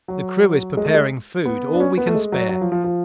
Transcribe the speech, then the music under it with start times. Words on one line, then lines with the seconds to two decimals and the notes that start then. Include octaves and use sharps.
The crew is preparing food, all we can spare.
0.08 F#3
0.77 G#3
0.85 A3
0.94 G#3
1.45 B3
1.73 D4
1.80 C#4
1.97 B3
2.06 A3
2.15 G#3
2.32 F#3
2.49 F#3
2.61 F3
2.72 F3
2.84 F3